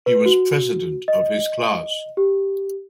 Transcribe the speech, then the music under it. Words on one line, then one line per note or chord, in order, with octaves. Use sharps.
He was president of his class.
B4
F#4
D#5
G4